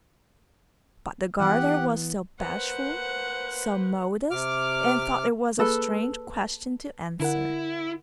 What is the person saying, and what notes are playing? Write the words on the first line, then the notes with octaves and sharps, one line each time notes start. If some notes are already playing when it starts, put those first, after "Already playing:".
But the garter was so bashful, so modest, and thought it was a strange question to answer.
E3 B3 G4 F#5
A#3 B4 C5 F#5
C3 D6 F6
A#3 G#4 A4 B4
D3 E4 A#4 F#5